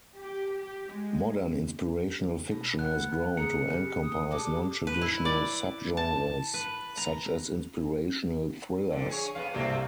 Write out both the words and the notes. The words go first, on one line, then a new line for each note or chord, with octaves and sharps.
Modern inspirational fiction has grown to encompass non-traditional subgenres, such as inspirational thrillers.
G4
G4
G#3
B2
B3 F#5 F#6
G#4 A#5 C#7
C#3 G4
D#6
G3 G#3 A4 D6
B4
E4
D5
A5
B4
A#5
F2 D3
G#4 C#5
F2 B3 F5
C2 C3 A3 A#3 C4